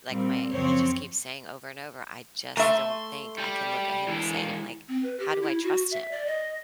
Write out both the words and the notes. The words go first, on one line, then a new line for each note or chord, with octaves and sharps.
like, my he just keeps saying over and over, "I just don't think I can look at him the same, like, how do I trust him?"
A#2 G3 C4
F#2 C#3 F3 C4 C5 C#5
A3 E5 A#5 C6
G3
E3 G#3
C4
B4
G4
E4
F#4
E5
D5
D#5